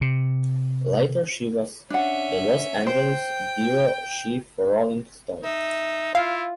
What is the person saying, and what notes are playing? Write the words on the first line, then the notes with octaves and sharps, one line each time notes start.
Later she was the Los Angeles bureau chief for "Rolling Stone".
C3
C#4 D4 E5 F#5
C5 G5
D#4 E5
E4 F4 F5